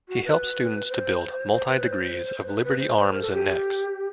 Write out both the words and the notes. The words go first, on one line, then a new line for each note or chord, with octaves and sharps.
He helped students to build multi-degrees of liberty arms and necks.
F#4
B4
C5
C5
B4
C#5
C5
B4
B4
C5
C5
A#4
A4
G4